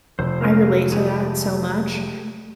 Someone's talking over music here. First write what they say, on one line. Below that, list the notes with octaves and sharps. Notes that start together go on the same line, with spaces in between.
I relate to that so much,
F1 C5
A#3 C#4 A#4 F5 A#5
G#3 A3 G4 G#4 D#5